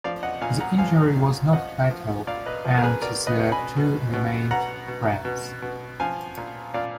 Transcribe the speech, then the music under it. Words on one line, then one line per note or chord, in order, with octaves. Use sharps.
The injury was not fatal, and the two remained friends.
F3 D5 F5
D#5 F#5
A#2 F5 G#5
F#5 A#5
F3 F5 G#5
A#2
F3 D#5 F#5
F3
A#2 D5 F5
B4 D#5
F3
A#4
G#4 B4
B2 A#4 D5
B4 D#5
B2
G#5 B5
B2
B2
B2 F#5 A#5
B2
B2
B2
F3 F5 G#5
A#2
A#2 D5 F5